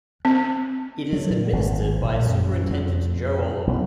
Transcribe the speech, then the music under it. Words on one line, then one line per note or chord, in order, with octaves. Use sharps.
It is administered by Superintendent Joe Oliver.
C4
F#3
A#2
G#1
A#1
F#2
F2
B1